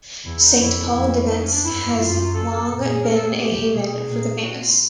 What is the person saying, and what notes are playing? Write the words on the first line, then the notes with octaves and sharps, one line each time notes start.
Saint-Paul-de-Vence has long been a haven of the famous.
E2 E4
D#4
F2 E4
F2
D#4
C#4
D4
G2 E4
F#2 F4
A4
A4
A#2
G#4
A#4
A4
G#4
G4
B2 G#4
A#2
F#4
F4